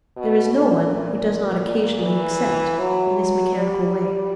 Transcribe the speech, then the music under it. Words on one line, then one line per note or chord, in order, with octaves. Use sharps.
There is no one who does not occasionally accept in this mechanical way.
B2
A#2
A#2
E3
F#3
G3